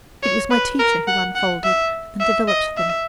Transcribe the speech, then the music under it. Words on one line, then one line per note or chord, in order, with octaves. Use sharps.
It was my teacher who unfolded and developed them.
C#5
B4
A#4
F#5
F#5
E5
E5
D#5
E5